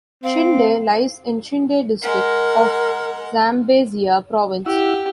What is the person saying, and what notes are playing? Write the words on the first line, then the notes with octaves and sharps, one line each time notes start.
Chinde lies in Chinde District of Zambezia Province.
C4 F5
G#3 A#4 F#5
E4 G4 F#5 E6